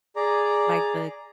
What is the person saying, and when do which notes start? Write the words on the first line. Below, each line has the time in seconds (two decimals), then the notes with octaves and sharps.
like, the
0.16 G#4 D5 A#5